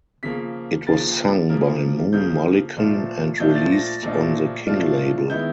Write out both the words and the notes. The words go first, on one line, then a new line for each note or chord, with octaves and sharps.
It was sung by Moon Mullican and released on the King label.
C#3 F3 A#3 B6
C#3 F3 A#3 A6
C#3 F3 A#3
C#3 F3 A#3 G6
A#2 F3 A3 D4 F4
A#2 F3 A3 D4 F4 G6
A6
A#6
A6
A#2 F3 A3 D4 F4
A#2 F3 A3 D4 F4
D#3 G#3 B3 E4 G6